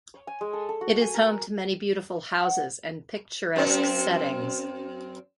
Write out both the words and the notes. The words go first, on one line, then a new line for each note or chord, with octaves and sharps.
It is home to many beautiful houses, and picturesque settings.
C#5
G#5
G#3
A4
A4
F#4
G#5
A#4
F#5
F#2 C4